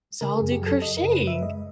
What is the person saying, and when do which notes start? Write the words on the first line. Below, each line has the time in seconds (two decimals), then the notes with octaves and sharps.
so I'll do crocheting."
0.21 C#3 A#4
0.36 G#4
0.41 F#2
0.52 G4
0.61 F#3 A4
0.81 F#2 D#5
0.97 A#4
1.02 C#3
1.12 B4
1.22 F#2
1.27 E5
1.42 G#3 D#5